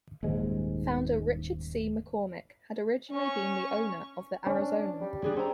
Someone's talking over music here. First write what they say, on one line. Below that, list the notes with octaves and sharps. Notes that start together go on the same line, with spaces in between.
Founder Richard C. McCormick had originally been the owner of the "Arizonan".
D#1 D#2 G#2 G#3
C#4 C#6
C#4 D4
G3
D4 G#4 D5
C4 C#4 A#5